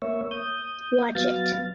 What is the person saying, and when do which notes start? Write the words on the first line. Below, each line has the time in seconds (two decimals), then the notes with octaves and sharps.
Watch it.
0.02 A#3 C#5 E5
0.31 D#6 G6
1.15 F#3 B3 F5 A6